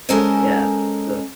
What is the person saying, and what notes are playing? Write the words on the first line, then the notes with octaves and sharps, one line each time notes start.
Yeah, so
G#3 C#4 A4 A#4 C5 D#5